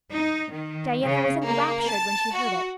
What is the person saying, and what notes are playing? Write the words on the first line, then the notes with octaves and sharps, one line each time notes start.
Diana was ENRAPTURED when she heard it.
D#4
D#3
C#3
A#3
A5
F#4